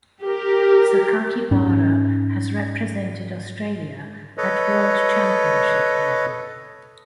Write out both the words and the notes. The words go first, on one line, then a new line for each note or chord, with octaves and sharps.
Sakakibara has represented Australia at World Championship level.
G4 A#4
G#2 C#4
A4 B4 C#5 D#5